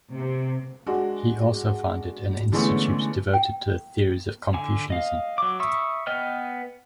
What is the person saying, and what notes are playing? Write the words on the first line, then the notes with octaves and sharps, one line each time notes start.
He also founded an institute devoted to the theories of Confucianism.
C3
G#3 D4 F#4
D3 E3 G#3 A3 B3 C#4
G5
D3 G#5
D#5 F5
F#3 D6
E5 B5 C#6 D#6 E6
B3 B4 D#5 G5 F6